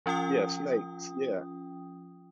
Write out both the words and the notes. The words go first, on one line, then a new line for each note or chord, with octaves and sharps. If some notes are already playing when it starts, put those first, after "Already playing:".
Yeah, snakes. Yeah.
F3 C#4 F4 G5 D#6